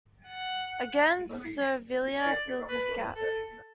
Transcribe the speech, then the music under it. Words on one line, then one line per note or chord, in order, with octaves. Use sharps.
Again, Servilia fills this gap.
F#5
D5
B4
A4